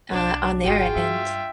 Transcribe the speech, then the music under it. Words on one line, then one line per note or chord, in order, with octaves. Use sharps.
uh, on their end,
B1 D4
G#1 E2 F4 F#4 G#4 G5
G2 E5